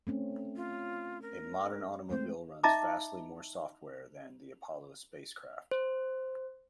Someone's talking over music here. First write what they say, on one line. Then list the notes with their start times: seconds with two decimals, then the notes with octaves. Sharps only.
A modern automobile runs vastly more "software" than the Apollo spacecraft.
0.07 A3 C4 C#4
0.56 F4
1.22 A#4
2.10 G#3 A3 C4 C5
2.63 D#4 D#5 E5 A5 A#5 D6
5.71 C5